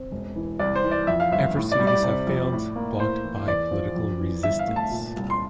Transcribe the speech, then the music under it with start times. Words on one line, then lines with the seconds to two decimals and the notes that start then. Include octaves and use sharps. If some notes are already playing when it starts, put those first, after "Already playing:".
Efforts to do this have failed, blocked by political resistance.
Already playing: C4
0.12 E1
0.36 E3
0.59 C2 D5
0.75 C5
0.84 E3
0.91 D5
1.07 F2 E5
1.20 F5
1.31 G1 E5
1.56 A2
1.72 D5
1.80 G3
1.87 D5
2.03 C3
2.27 F2
2.52 A2
2.76 A#3
3.00 A2 C5
3.24 E3
3.47 E2 D5
3.71 F3
3.96 F2
4.19 E3
4.43 G1 E5
4.59 F5
4.68 A3
4.76 A5
4.91 A#2
5.16 C2
5.30 C6